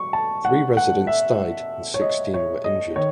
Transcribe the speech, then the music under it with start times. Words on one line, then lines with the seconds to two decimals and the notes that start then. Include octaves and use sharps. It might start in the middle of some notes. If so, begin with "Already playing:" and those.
Three residents died and sixteen were injured.
Already playing: F#3 C#6
0.13 A5
0.45 F#5
0.77 F#5
1.07 E5
1.94 C#5
2.01 D#5
2.34 C#5
2.64 D#5
2.96 D#3 C#5